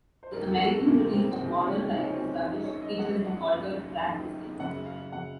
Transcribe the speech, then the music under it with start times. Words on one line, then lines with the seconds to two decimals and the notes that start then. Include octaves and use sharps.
The American release of "Modern Life Is Rubbish" features an altered track listing.
0.23 C5
0.33 C#2 C3 D#3 A#4
0.51 A4
0.64 F#4
0.69 A4
0.86 C#2 C3 D#3 A#3
1.13 C4
1.40 C#2 C3 D#3 C4
1.67 C#4
1.93 C#2 C3 D#3 D#4
2.03 C#4
2.12 C4
2.21 C#4
2.46 F#1 F#2 D#3 D#4
2.64 C#5
2.82 D#5
2.99 F#1 F#2 D#3 F#5
3.26 F#5
3.52 F#1 F#2 D#3 F5
4.06 F#1 F#2 D#3
4.59 F#1 F#2 C#3 F#5
4.86 F5
5.12 F#1 F#2 C#3 F#5